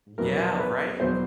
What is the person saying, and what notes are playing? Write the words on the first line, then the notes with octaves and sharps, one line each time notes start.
Yeah, right?
E2 B2 F#3 B3 A#4
B4
E2 B2 F#3 B3 C5